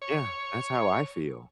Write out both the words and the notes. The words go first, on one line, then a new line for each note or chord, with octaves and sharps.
Yeah. That's how I feel.
C#5